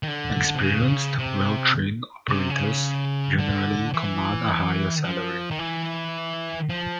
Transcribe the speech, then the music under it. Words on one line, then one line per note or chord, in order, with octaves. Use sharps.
Experienced, well trained operators generally command a higher salary.
D#3
D3
C3
C#3
C3
C#3
C3
C#3
D3
E3
F3
D#3
E3
F3